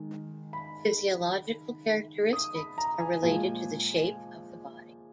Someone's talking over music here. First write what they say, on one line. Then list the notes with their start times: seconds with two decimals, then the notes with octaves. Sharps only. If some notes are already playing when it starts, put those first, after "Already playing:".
Physiological characteristics are related to the shape of the body.
Already playing: D#3 G#3
0.53 B5
2.33 D#6
2.55 B5
2.78 A#5
3.00 G#5
3.23 A#2 F3 G#3 G#5